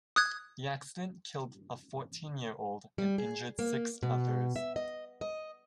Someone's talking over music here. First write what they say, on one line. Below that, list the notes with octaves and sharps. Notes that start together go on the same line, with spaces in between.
The accident killed a fourteen-year-old and injured six others.
D#6 F#6 G#6
G3
G#4
A#3
B2
E5
D#5
D#5